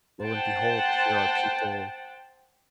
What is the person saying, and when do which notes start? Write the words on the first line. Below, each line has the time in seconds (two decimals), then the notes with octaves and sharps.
lo and behold, here are people,
0.21 C5 F#5 G5 A5